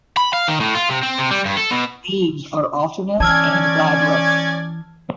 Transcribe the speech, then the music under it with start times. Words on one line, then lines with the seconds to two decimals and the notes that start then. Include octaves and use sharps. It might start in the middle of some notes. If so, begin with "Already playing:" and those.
Leaves are alternate and glabrous.
0.17 B5
0.33 F5
0.48 D#3
0.60 A2
0.75 F4
0.90 C3
1.03 C4
1.19 C3
1.31 G3
1.45 G2
1.57 A4
1.71 B2
3.20 E3 C#4 D5 A5 E6 F6 G#6